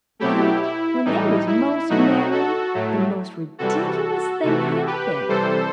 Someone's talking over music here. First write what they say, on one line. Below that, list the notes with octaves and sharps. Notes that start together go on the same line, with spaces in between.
Well, when they was most married the most ridiculous thing happened.
B2 F#3 A3 E4 G4
E4
A2 E3 G3 D#4
E4
B2 F#3 A3 D#4 F#4
F#4 A4
A2 F#3 A3
C3 E3 G3 F#4 A4
C3 E3 A3 F#4 A4
G4 B4
C3 E3 G3 A4 C5